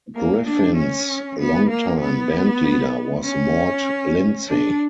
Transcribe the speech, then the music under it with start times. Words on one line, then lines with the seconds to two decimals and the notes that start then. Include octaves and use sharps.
Griffin's longtime bandleader was Mort Lindsey.
0.16 A#3
0.47 D4
0.78 C#4
1.39 B3
1.71 A#3
2.01 B3
3.24 C#4
4.48 D4